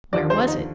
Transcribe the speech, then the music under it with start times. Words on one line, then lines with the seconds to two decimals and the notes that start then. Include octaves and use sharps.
Where was it?
0.13 D#2 D3 F3 D5
0.30 C5
0.47 D#4